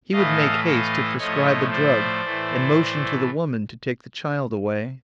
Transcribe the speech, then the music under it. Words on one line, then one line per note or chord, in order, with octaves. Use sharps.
He would make haste to prescribe a drug, and motion to the woman to take the child away.
A2 E3 A3 D#5 F5
D#5 F5
A2 F3 A3 C#5 D#5
C5 D5
A2 E3 A3